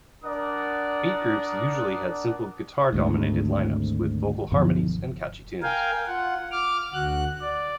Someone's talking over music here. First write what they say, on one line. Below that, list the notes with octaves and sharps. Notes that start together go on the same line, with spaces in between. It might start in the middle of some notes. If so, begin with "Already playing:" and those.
Beat groups usually had simple guitar-dominated line-ups, with vocal harmonies and catchy tunes.
D4 A#4 D5 F#5 D#6
G#1 D2 G#2
B1 G2 D3 F3
A#4 F5 G5 G#5
F4 F#5
D6 F6
D2 F#4 F#6
D5